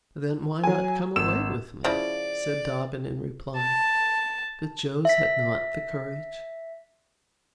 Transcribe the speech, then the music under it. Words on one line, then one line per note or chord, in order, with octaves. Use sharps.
"Then, why not come away with me?" said Dobbin in reply; but Jos had not the courage.
F#3 G#5
G#1 E6 E7
C#3 F3 E4 D5
A5
E5 B6